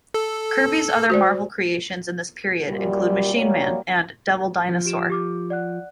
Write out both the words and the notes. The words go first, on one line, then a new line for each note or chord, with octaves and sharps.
Kirby's other Marvel creations in this period include "Machine Man" and "Devil Dinosaur".
A4
F#4 C5 D5
F#2 A#2 G3
F#3 G3 A#3 A#4 C#5
F3
G4 D7 E7
G4 D6 F6
D5 F#5 F#6